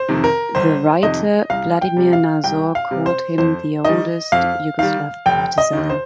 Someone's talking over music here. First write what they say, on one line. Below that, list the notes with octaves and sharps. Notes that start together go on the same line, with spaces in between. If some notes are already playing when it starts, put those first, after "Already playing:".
The writer Vladimir Nazor called him the oldest Yugoslav Partisan.
Already playing: C5
F2 C3 D#3
A#4
G1 C5
F2 C3 D#3 D#5
C2 F5
G5
C3 G3
F5
C2 G5
F5
C3 G3
C5
F2 C5
D#3 G3 D#5
F2 F5
D#3 G3 F5
F1 G5
D#5
D#2 D#3
C5